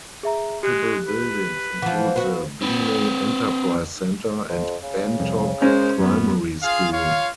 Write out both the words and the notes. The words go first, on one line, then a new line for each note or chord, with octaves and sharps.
Notable buildings include the Bingley Enterprise Centre and Bantock Primary School.
G#4 E5 A#5
G#3 G4 F#6
B4
E3 F3 F#5
B3 F#4 C5
C4 B4
F2
C#3
C2 F2
G#3 C#4 A#4 C5
F#2 B3
F4 G#4 F5
F4 C#5 F5